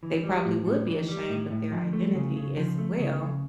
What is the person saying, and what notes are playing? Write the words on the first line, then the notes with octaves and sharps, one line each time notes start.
they probably would be ashamed of their identity as well,
E3
G3
A2
A2
E3
G3
A2
A2
F3
A3
C#3
C#3
F3
A3
C#3
C#3